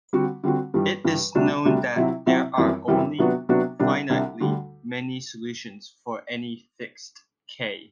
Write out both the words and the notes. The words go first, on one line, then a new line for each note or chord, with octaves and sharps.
It is known that there are only finitely many solutions for any fixed "k".
D3 G3 C4 F#4
D3 G3 C4 F#4
G2 E3 G3
G2 E3 G3
D2 C3 G3 D4 F#4
D2 C3 G3 D4 F#4
C3 F#3 C4 E4
C3 F#3 C4 E4
F#2 E3 G3 C4 E4
F#2 E3 G3 C4 E4
C3 F#3 B3 D4 F#4
C3 F#3 B3 D4 F#4
C2 C3 G3 D4
C2 C3 G3 D4
D2 D3 G3